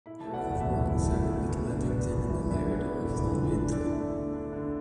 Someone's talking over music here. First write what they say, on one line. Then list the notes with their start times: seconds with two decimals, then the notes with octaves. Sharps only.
The Earl of Morton sided with Lethington and the Laird of Longniddry.
0.06 E4 B5
0.20 A5
0.27 A3
0.34 D5 F#5
0.47 E2
0.60 E5 A5
0.68 B2
0.88 E4
1.08 A3
1.28 E2
1.49 B2
1.69 D4
1.90 B3
2.10 E2
2.29 E3
2.50 D4 B4 E5
2.71 B3
2.78 B4
2.91 E2
3.04 A4 D5
3.12 E3
3.31 D3 B4
3.51 D4
3.72 D3 A4 D5
3.92 A3
4.12 D3
4.34 D4
4.53 D3